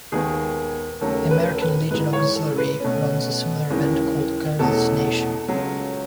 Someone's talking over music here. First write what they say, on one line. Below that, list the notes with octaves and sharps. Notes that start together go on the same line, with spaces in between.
The American Legion Auxiliary runs a similar event called Girls Nation.
D#2 D#3 G#3 B3 G#4
D#2 C#3 F#3 A3 A4
B4
A4
B4
G#2 E3 G#3 B4
C#5
A4
B4
B2 A3 C#4
D#2 C#3 E3 G#3
E2 B2 A3 C#4 A4
C#2 C#3 F#3 C#4